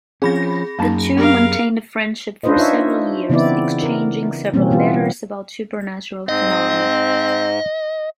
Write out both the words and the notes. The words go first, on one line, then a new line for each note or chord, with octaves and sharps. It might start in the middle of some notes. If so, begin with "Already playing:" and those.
The two maintained a friendship for several years, exchanging several letters about supernatural phenomena.
F3 C4 C#4 G#4 B5 A#6
F#2 A#3 D#4 A5
B3 G4 A#4 F5
C#4 D4 F4 B4 C5 D#5
D#4 F4 C#5 E5
C#3 E3 B3 C4 E4 D5
A#4
B2 E3 G3 A#3 C4 C#4
E3 B3 F4
G#2 C4 D#5